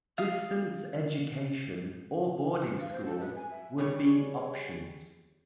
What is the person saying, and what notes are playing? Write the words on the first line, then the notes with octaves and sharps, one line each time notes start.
Distance education or boarding school would be options.
F5 D#6
D#4
B4
F5
C5
A4
B4
G#5
E5
C#3 G3 C#5